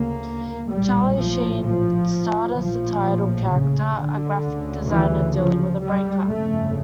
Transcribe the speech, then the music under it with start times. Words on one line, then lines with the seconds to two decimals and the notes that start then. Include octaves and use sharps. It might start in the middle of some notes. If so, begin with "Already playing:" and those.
Charlie Sheen starred as the title character, a graphic designer dealing with a break-up.
Already playing: D2 C#3 A#3
0.70 A#1 A2 G3
1.17 F3
1.63 F3
2.56 A#1 A2 F3
3.49 C#3
3.96 D3
4.42 D2 C#3
4.89 E3
5.36 F3
5.81 G3
6.28 G1 F2 C#3 A3